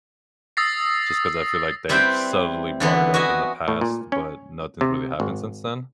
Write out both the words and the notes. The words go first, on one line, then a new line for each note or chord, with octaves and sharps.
just 'cause I feel like they've subtly brought it up in the past, but nothing's really happened since then
D#6 E6 A6 A#6 C7
G3 C4 E4 B4 C5 G5
D3 E3 B3
F#4 D#5 E5 G#5
A2
A#2
C#4
C3
G#1